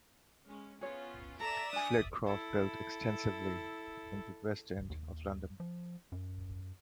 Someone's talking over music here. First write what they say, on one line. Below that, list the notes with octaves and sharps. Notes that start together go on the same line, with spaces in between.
Flitcroft built extensively in the West End of London.
G#3 C#4
B3 C#4 F4 G#4 C#5
A4 D5 E5 A#5 E7
D4 G#5 D#6
E4 A4
D#2
F3
F#2